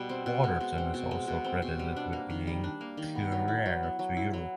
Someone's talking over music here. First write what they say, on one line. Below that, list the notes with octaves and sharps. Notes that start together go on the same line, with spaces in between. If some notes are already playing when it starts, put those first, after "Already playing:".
Waterton is also credited with bringing curare to Europe.
Already playing: B2 G3
C4
B2
G#3
B2
C4
B2
G#3
B2
C4
B2
G3
D4
A#3
D#3
G3
D4
A#3
D#3
B3
F#3
E4
F#3
B3
F#3
E4
F#3